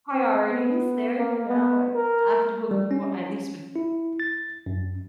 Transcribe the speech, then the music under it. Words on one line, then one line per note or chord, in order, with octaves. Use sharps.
priorities there, you know, what I would hope you would at least would
C4
B3
A#3
B3
A#4
G3
C#4
E4
A6
F#2